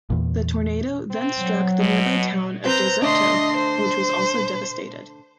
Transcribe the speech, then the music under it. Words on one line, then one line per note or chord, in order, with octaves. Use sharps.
The tornado then struck the nearby town of De Soto, which was also devastated.
E2 A#2
C4
F#3
B2
C4 B4 C5 A#5 G6
D3 A3 D4 D#5 C6
C5